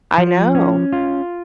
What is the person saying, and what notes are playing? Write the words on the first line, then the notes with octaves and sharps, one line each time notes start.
I know.
F3
C#4
F4